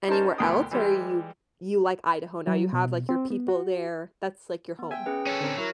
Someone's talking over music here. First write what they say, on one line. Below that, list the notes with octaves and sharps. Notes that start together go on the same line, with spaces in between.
anywhere else, or you you like Idaho now? You have, like, your people there, that's, like, your home.
C#4 D#4 A#4 C5 A5
D2 B2 A#4 G5 D#6
E3 G3 G#3 G4
F#3
B2
C4
B3
F#4
B3
E5 G5 G#5
C#4 G#4 B4
C#4 A4 C#5
D3 C4 A#4
F#3 E4 A#4